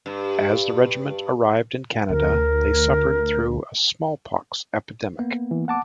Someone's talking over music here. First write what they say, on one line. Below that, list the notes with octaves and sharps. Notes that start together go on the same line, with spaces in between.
As the regiment arrived in Canada they suffered through a smallpox epidemic.
G2
D2 A#4
A#3 B3
E3
F#5 A5 D6